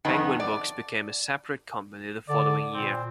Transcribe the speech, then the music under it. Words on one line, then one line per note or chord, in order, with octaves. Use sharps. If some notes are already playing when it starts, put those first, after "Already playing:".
Penguin Books became a separate company the following year.
F2 D#3 B3
D5
D3 D5
A#2 C4